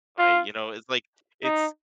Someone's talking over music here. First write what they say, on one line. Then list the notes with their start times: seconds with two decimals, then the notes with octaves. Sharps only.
Right, you know, it's like, it’s
0.19 F4
1.44 D#4